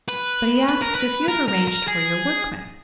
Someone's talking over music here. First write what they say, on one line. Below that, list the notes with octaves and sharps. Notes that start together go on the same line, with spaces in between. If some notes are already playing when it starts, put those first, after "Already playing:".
But he asks if you have arranged for your workmen.
B4
B4
A#4
B4
A#4
A#4
A#4
G#4